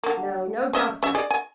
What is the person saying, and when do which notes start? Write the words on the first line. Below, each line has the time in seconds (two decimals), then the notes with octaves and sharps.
No--no doctor.
0.03 D3 A#3
0.73 C#4 D#5 E5
1.03 C#4 E5
1.15 G#4 D5 D#5
1.31 G#5